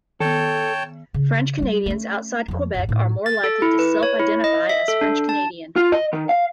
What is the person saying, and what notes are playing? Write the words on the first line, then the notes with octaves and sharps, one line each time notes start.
French Canadians outside Quebec are more likely to self-identify as "French Canadian".
D#3 B3 A4 C#5 G5 A5
C#3
G3 F4
A3 C#4
F2 F3
A1 F#2
A2 D#4
A6
A4
E4
B4
C#5
E4
D#5
E5
A4
D4
A5
F4
D#5
D#3
F5